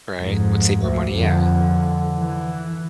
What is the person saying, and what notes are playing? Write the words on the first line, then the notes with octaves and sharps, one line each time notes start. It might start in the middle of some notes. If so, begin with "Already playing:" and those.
Right, would save more money, yeah.
F2 G#2
D2
F2 D3
E3